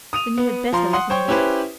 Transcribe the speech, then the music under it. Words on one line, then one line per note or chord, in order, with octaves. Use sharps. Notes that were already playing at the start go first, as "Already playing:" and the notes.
"Then you had better let him go."
D#6 D#7 F7
B3
F3 A#5 C6
F#5 C6 D#6
C5 C#5 G5 C#6
C#4 E4 G4 B4 C5